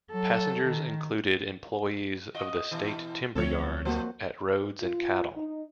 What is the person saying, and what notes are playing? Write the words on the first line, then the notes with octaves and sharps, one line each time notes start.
Passengers included employees of the State Timber yards at Rhodes and cattle.
F#3 A4
D#3
F4 D#5
B2 E3
D2 F3 A3 C4 A4 C#5
F#3 A#3 F#4 C5
F4
D#4